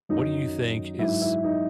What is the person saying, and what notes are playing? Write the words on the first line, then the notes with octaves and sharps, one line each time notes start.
what do you think is
F#2 D#3 F#3 D#4
G#2 F#3 E4
E4
D#4